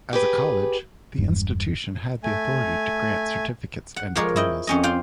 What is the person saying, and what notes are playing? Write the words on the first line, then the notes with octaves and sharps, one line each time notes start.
As a college, the institution had the authority to grant certificates and diplomas.
G4 G#4 B4
E1 G2
A3 G#5
F#5
F3 G#3 A#4 C#5 D5
E4 D#5 G5
F2 C#4 D#5
F4 C5 D5 F5 G5